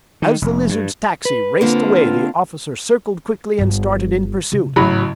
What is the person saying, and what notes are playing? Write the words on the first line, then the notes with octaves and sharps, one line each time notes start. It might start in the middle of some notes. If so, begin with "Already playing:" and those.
As the Lizard's taxi raced away the officer circled quickly and started in pursuit.
D#3
F1
G2
B4
D3 A#3 C4 F4
G1 F4
C#3
A1 G#2 C#3 F#3 B5